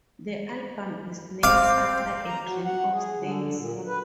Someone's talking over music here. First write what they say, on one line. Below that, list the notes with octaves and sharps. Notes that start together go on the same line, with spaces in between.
The album is named after a dream of Sting's.
C4 F5 D6
A#5
F#3
F#5
G#4
D3
A#2
F#3
B4